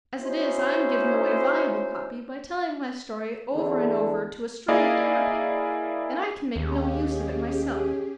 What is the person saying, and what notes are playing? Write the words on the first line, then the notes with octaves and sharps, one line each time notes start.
As it is, I am giving away valuable copy by telling my story over and over to a string of different people, and I can make no use of it myself.
C#4 D#4 E4 F#4 C5
E2 D3 A4
A#3 E4 G#4 D5 D#5 F5
D#2 C#4 G4 G#4